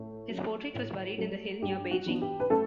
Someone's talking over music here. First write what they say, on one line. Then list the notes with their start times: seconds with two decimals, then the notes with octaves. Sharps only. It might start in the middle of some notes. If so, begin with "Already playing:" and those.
His portrait was buried in the hill near Beijing.
Already playing: A2 A3
0.30 F#3 A3
0.74 A2
1.18 F#3 A3
1.62 G2 G4
1.91 F#4
2.06 E3 B3 D4
2.22 G4
2.40 B4
2.50 A3 A4